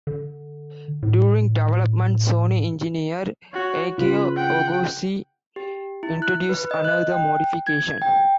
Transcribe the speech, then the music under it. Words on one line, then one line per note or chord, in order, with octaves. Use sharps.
During development, Sony engineer Akio Ohgoshi introduced another modification.
D3
A2
F#4 C#5
C#3 F4 B4
F#5 G5
G4
E4
F#6
B4
D#5
F#6
G5
G#6
G5